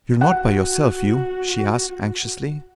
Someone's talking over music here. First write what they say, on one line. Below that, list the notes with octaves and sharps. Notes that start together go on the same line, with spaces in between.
"You're not by yourself, Hugh?" she asked anxiously.
F#4 F#5